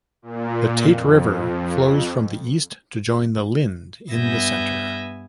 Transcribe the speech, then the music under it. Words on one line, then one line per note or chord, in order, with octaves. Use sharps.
The "Tate River" flows from the east to join the "Lynd" in the centre.
A#2
F2
G2 B3 E5 G#5 G6 A#6